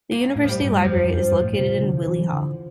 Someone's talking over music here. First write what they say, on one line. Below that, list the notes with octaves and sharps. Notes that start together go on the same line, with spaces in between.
The University Library is located in Wyllie Hall.
A#3
A2
F3
G3
G2
F2 F3
F2
G2
A2
C3
D3
E3
D3